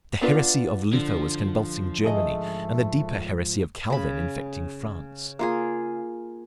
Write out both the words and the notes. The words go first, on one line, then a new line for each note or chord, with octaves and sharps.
The heresy of Luther was convulsing Germany, and the deeper heresy of Calvin infecting France.
B3 D4 F4 B4
D3 F3
G#2 A3 G#4 D#5
C#3 B5
A#3 F4 G#4